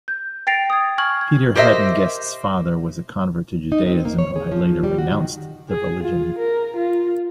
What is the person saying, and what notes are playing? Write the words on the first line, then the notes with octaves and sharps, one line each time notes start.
Peter Haden-Guest's father was a convert to Judaism who had later "renounced" the religion.
G6
G5 A6 A#6 C7 D7 F7
D#6 G#6
G#5 C#6 F6 G#6 F#7
G#6
G4 A#4 C5 D#5 E5
D#4
C4
A#3
C#5
G#4
F3
G3
F#4
D#3
G#4
F4
A#4
F4